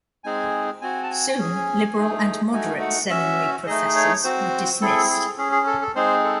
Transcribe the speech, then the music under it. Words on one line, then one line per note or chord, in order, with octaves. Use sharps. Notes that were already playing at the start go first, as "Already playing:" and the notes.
Soon liberal and moderate seminary professors were dismissed.
G#3 C4 D#4 G#4 G#5
C4 F#4 G#5
A5
G#5
C#4 G#4
A3 D#4 G#4
A3 D#4 F#4 G#5
F#5
C#4 F#4 E5
A3 D#4 G#4 D#5
C#5
C4 F#4 C5
C4 E4 G#4 A4
G#4
C#4 G#4
G#4
A4
A4
G#3 C4 D#4 G#4 C5
A4